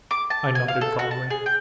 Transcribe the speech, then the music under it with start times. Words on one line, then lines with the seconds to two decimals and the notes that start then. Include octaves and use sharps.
I nodded calmly.
0.11 D6
0.30 A5
0.55 G#5
0.68 F5
0.81 A4
0.99 F#4
1.11 A5
1.30 G#4
1.46 G5